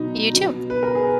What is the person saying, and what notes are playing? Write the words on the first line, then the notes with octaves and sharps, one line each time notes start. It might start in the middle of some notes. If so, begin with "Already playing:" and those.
You too.
Already playing: B2 F#3 D#4
B2 F#3
B4
A#4
G#4